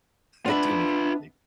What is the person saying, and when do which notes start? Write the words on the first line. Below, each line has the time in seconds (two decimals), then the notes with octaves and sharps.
I do make mistakes.
0.46 B3 D4 F4 E5 B5